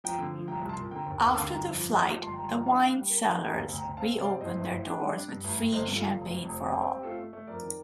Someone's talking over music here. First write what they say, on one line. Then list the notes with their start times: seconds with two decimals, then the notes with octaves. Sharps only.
After the flight, the wine cellars reopened their doors with free champagne for all.
0.04 F3 G5 A#5
0.18 D3
0.34 F3
0.48 C2 G5 A#5
0.62 C2
0.69 A5 C6
0.76 A#2
0.91 D3 G5 A#5
1.06 D#2
1.20 D#2
1.35 D3 F5 A5
1.50 G1 G5 A#5
1.65 F2
1.80 F3
1.94 F3
2.09 F3
2.22 G1 A5 C6
2.33 G5 A#5
2.37 G1
2.44 A5 C6
2.52 F3 G5 A#5
2.66 D4 F5 A5
2.81 D4
2.96 G3
3.10 A#3
3.25 D#3
3.40 D#3 A#5
3.54 D2 F5 A5
3.68 D2
3.76 G5 A#5
3.84 D2
3.97 C4 F5 A5
4.12 C3
4.19 D5 F5
4.26 C4
4.41 A2 C5 D#5
4.57 A1
4.70 A2
4.86 D4
5.00 G3
5.15 D4
5.29 G2
5.44 A1
5.58 A1
5.72 G1 C5 D#5
5.88 G2
5.94 F4 A4
6.01 G1
6.17 F1
6.31 F2
6.45 F1
6.61 C4
6.75 C4
6.89 C4
6.95 G4
7.03 A3 F4 A4
7.19 A3
7.33 A3
7.47 F2 A#4 D5
7.62 D#3